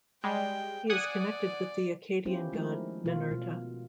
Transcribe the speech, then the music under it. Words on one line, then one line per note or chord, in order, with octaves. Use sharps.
He is connected with the Akkadian god Ninurta.
G3 G#3 G5
D5 F#5 G#5 D#6
B3 C#4 E4 F4 G4 C5
D#3 F3 G#3 A3 E4 A#4
B2 F4
B2